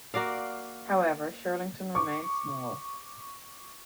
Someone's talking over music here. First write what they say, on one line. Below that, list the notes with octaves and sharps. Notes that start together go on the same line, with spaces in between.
However, Shirlington remained small.
A#3 F#4 D5 F5
C#6 D6